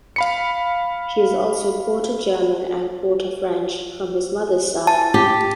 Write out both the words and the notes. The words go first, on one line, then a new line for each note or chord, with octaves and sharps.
He is also quarter German and quarter French from his mother's side.
F5 B5 C#7
A5
G4